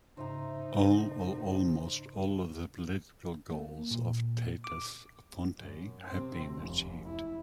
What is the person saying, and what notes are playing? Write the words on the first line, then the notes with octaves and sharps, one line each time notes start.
All or almost all the political goals of Tautas fronte have been achieved.
G#2 C#3 D#4 C5 E5 A#5
A#3
A#2
D6
F#2
C3 C4
F1 D#2
F#2 E4